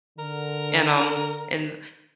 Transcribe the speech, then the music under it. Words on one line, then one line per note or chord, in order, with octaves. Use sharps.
and, um, and,
D3 A#4